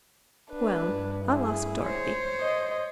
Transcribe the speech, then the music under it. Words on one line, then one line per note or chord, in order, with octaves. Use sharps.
"Well, I'll ask Dorothy."
D4 B4
G2
E4 G#4
C5 C#5
D#5